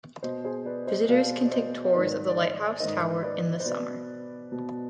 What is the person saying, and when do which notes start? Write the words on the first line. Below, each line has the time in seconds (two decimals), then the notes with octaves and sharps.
Visitors can take tours of the lighthouse tower in the summer.
0.23 B2 C5 D#5
0.45 G#4 C5
0.65 B4 D5
0.87 C5 D#5
1.09 B2 D5 F5
1.45 D5
1.52 C5 D#5
1.86 D#5
1.94 G#2 D#3 B4 D5
2.28 D5
2.37 C5 D#5
2.80 G#2 D#3 C5 D#5
3.23 B4 D5
3.60 C5
3.66 B2 B4 D5
4.52 B2